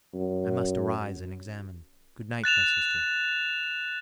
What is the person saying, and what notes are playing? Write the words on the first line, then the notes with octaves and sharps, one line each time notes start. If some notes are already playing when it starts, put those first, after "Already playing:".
I must arise and examine. Good night, my sister.
F#2
F#6 A6 E7 F7